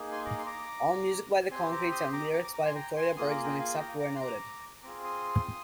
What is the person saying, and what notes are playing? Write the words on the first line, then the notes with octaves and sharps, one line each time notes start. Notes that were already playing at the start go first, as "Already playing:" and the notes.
All music by The Concretes and lyrics by Victoria Bergsman, except where noted.
Already playing: A#3 D#4 G#4
G#5 C6
A#5 D6
C6
A#5 D6
C4 G4 G#5 C6
A#5 D6
C6 D#6
A#5 D6
A#5 D6
A#5 D6
A#5 D6
G#5 C6
G5 A#5
G#5 C6
A#3 F4 G#4 C6 D#6
A#5 D6
G5 A#5
F5 G#5
G5 A#5
A#5 D6
C6
A#5 D6
C4 F4 G#4 A#5 D6
C6 D#6